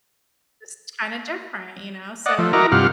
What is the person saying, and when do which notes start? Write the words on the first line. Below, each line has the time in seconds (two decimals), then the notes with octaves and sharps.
it's kind of different, you know, so
2.26 D5 D#5 F#5
2.38 F3 A3
2.53 E4 F#4 A#4 D#5 A#5 D6
2.72 G2 C3 F4 G4 F#5 F6